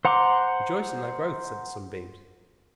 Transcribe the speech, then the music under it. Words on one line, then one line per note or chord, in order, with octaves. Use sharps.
"Rejoice in thy growth!" said the Sunbeams.
C5 F#5 A#5 C6 D6